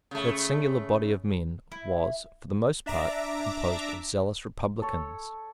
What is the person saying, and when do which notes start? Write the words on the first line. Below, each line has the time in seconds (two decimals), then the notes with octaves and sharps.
That singular body of men was, for the most part, composed of zealous republicans.
0.11 C#3 A3
1.72 E4
2.86 D4 E5 A#5 D6
4.82 A4 C#5